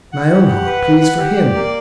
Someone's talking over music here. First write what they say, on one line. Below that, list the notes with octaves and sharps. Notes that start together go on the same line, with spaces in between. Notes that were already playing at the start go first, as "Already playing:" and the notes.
My own heart pleads for him.
F#5
G4
F#5
B4
F#5
F#5
G4
D5
A#3